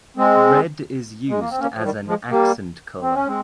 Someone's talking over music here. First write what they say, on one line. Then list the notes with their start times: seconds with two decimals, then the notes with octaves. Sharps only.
Red is used as an "accent color".
0.17 G#3 C4
1.30 G#3
1.39 A#3
1.50 C4
1.60 A#3 C#4
1.76 F3
1.83 D#3 G3
2.07 F3 G#3
2.31 G3 A#3
3.02 C4
3.15 C#4
3.27 G#3 C4